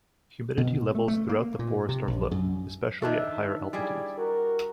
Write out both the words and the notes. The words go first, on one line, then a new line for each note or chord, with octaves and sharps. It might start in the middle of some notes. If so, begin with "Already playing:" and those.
Humidity levels throughout the forest are low, especially at higher altitudes.
B2
A3
A3
A#3
A#2
C3
A#1
F#2
D#3 D4 A4 E5
G3 E4 G#4 D5
F#4 A#4